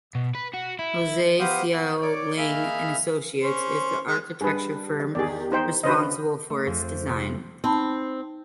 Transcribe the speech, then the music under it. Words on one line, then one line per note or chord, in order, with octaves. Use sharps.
Jose Siao Ling and Associates is the architecture firm responsible for its design.
B2
B4
F#4
E4
B3 G4 C5 F5 D#6
B3
C#5 D5 D6
A#3 D#4 G#4 E5 B5 F6
C#4 C5
G#3
G3 D4 G#4 B4
E2 D#3 G4 G#4 D5
D#4 C5 G5
C#3 D4 F#4 B4 C5 D#5
A3
F2
C3
C4 D#4 A5 B5